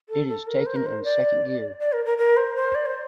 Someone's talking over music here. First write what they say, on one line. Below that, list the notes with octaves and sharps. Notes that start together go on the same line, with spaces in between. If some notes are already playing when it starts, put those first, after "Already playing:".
It is taken in second gear.
A4
A4
A#4
C5
A#4
C5
D5
D5
A#4
A#4
A#4
C5
C5
D5
C5